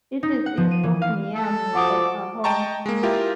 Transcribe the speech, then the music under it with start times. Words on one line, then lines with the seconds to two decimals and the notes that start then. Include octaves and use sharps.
It is east of Miami, Oklahoma.
0.23 D#4
0.46 F#5
0.57 F3
0.71 D#7
0.83 E3
1.02 F5
1.35 A4
1.75 F3 F#4 F#5 D6 D#6
2.44 D#5 G5 A5 A#5 C#6
2.86 G#3 A#3
3.03 E4 F4 G4 A#4